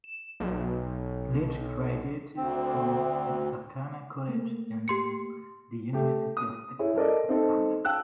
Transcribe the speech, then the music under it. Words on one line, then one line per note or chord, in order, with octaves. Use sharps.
Lynch graduated from Texarkana College and the University of Texas at Tyler.
E7
B1
D2 C4
A3 A#3
G4 C6 C#7
A3 G4
D#6
E4 G#4 C#5
A4 A#4 D5 D#5
C4 D#4 A4
F5 G5 A5 E6 F#6